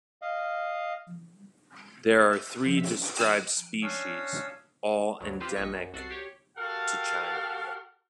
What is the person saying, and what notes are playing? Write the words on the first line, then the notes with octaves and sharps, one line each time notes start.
There are three described species, all endemic to China.
D#5 F5
E5
F3
E5
C#4 D4 C#5 F5 D#6 E6
D2 G2 F#3
C4 F4 G4 B4 C5
A#1 D#5 C#6 B6 C#7
F#2
C2 F#4 A4 C7
G4 C#5
F#4 G4 A4 A#4 F5 F#5